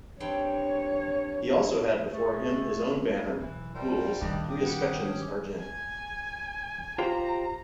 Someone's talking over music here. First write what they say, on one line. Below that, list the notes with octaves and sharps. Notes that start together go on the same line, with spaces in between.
He also had before him his own banner, gules, three escutcheons argent.
G2 C4 C#5 G5
A3 G#4 A4
B1 E3
B2 G3 A#4 C5
G2 A#2 D#3 D5 D#5 F#6
G4 D6 D#6
B3
C#4
G#5
F4 G4 C5 A#5